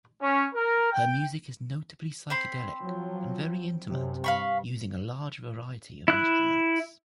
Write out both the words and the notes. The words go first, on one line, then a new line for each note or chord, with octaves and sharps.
Her music is notably psychedelic and very intimate using a large variety of instruments.
C#4
A#4
G5
C4 B5 C6
F3 F#3
F#2 C3
G2 F5 B5 C#6
E4 F#6